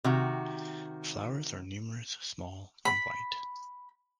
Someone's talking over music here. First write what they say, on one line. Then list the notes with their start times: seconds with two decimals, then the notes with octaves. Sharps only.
Flowers are numerous, small, and white.
0.04 C3 D#3 F#4
2.85 B5